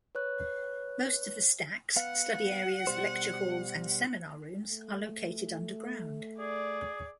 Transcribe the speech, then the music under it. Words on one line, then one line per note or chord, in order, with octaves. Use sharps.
Most of the stacks, study areas, lecture halls and seminar rooms are located underground.
B4 C#5 F#6
B3 F5 F#5
B2 G3 C5
A3
G#4 D5